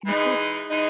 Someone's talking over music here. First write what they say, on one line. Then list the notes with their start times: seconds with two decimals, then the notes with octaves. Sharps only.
You do it.
0.05 E3 G#3 D#4
0.69 E3 G#3 D#4